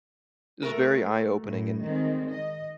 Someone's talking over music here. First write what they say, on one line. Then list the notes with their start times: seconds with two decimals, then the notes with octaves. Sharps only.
it was very eye opening, and
0.63 A3 F#4 A#4
1.43 A2
1.82 D#3 G#3 C4
2.30 D#5